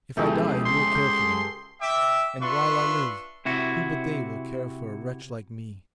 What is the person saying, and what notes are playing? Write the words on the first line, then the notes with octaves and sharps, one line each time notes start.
If I die, who will care for them, and while I live who but they will care for a wretch like me?
C#2 B2 F3 A3 E4 G4 G#4
C6
D6 D#6 G6
E5 G5 D6
D4 F4 B4 E5 C6 C#6
C3 E4 F#4